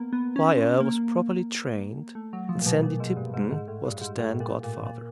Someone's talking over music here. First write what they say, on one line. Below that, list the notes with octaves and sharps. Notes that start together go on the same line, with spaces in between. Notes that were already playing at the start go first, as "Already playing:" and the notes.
The choir was properly trained, and Sandy Tipton was to stand godfather.
Already playing: A#3 B3
B3
C#4
C4
A#3
A3
F#3
F3
A#2
B2
A#2
G#2
G2
G#2
G#2
A2
G2
G#2
A2
A#2
A#2
A#2